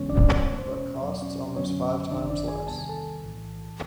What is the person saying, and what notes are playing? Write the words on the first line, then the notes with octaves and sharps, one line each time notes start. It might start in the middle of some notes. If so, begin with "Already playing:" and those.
But costs almost five times less.
Already playing: F#2 C#3 E3 G#3 B3 C#4 C#5
D4 D5
C#4 C#5
E2 B2 G#3 B3 C#5
C5
C#4 C#5
E2 B2 F#3 B3 C#5
D5
C#4 C#5
F#2 D3 F#3 B3 C#4 C#5
G#1 F#2 D#3 D4 D5
D4 D5
G#4 G#5
E2 C3 D#3 G3 B3 A5
G#5
A4 A5
B1 A2 E3